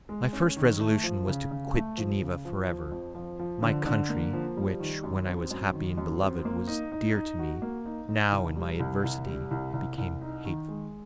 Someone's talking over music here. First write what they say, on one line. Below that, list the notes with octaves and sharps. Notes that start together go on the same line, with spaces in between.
My first resolution was to quit Geneva forever; my country, which, when I was happy and beloved, was dear to me, now, in my adversity, became hateful.
G#3
C#4
D#3
A3
F3
C#3
C#3
A3
F3
C#3
F3
F3
F2
F3
F3
D3
D3
A#3
F3
G3
D#3
F#2
C4
F#2
D#3
F#2
C4
A#3
D#4
D#4
D#4
F#4
A#3
D#4
D#4
C2
G3
C2
C2
G3
C2
C2
C2
D#4
D#3
G#3